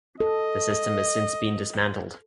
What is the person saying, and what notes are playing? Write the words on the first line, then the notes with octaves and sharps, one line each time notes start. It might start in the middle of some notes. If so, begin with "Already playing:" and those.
The system has since been dismantled.
A4 D#5